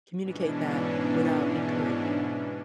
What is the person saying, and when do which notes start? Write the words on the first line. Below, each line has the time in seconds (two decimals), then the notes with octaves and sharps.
communicate that without encouraging.
0.18 G#2 B2 E3 C#4 D4